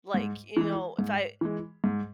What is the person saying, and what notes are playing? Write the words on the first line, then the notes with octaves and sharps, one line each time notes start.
Like, you know, if I
G#2
E3 G#3
G#2
E3 G#3
G#2